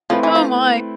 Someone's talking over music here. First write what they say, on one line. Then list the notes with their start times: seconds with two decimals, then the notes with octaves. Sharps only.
Oh my.
0.10 F3 A3 C4 E4 B4
0.23 E3
0.35 F3